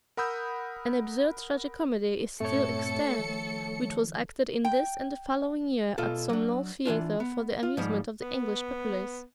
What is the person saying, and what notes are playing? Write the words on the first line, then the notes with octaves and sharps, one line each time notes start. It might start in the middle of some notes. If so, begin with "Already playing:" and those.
An absurd tragicomedy is still extant, which was acted in this and the following year at some low theatre for the amusement of the English populace.
A#4 F#5 B5 D#6 E6 G6
G2 A#2 A3 C4 A4 C#5 C#7
D#3 F3
G5
B2 F4 A4
F#3 D4
E3 C#4 D4 F4
B3
F4
G#2 F3 G3
B3